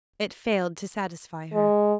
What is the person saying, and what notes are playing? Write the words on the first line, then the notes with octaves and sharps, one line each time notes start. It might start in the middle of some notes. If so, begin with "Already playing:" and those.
It failed to satisfy her.
G#3